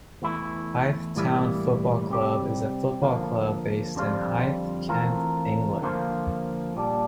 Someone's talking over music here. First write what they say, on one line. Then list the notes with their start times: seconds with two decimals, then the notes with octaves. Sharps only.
Hythe Town Football Club is a football club based in Hythe, Kent, England.
0.22 E2 E3 A3 E4
1.16 A2 E3 G3 A#3 E4
2.09 C3 G3 C4 G4
3.02 D3 F3 A#3
3.95 F2 D3 G3 C4 F4
4.89 E3 A3 C4 F4 A#4
5.82 D3 F3 A#3 F4 C5
6.75 A#2 G3 D4